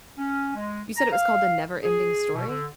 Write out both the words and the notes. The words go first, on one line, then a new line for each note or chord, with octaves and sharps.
You said it was called The NeverEnding Story?
C#4
G#3
A#5
F5
G#4
B2
D3